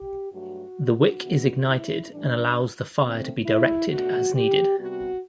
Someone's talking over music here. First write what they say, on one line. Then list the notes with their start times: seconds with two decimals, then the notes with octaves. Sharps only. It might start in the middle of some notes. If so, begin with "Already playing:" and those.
The wick is ignited and allows the fire to be directed as needed.
Already playing: G4
0.32 G2 F#3 A3 F#4
1.21 C3 E3 B3 D4
1.65 E4
2.11 A2 E3 G3 D4
2.99 D2 D3 A3 C4
3.45 E4
3.88 B2 A3 D4 F#4
4.34 G4
4.78 C3 G3 B3 F#4